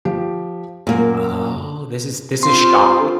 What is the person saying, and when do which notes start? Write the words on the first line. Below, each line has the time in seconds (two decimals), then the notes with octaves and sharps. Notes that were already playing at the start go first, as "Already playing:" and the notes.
Oh, this is this is shocking.
0.05 F3 G4
0.87 F#2 A#2 A#3
2.43 C4 F4 G4 C6